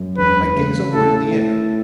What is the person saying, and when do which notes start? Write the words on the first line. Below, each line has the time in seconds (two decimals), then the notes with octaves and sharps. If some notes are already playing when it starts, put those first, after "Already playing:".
I gaze upward in the air.
Already playing: F#2
0.17 E1 B4
0.55 C#3
0.92 A2 A4
1.31 A2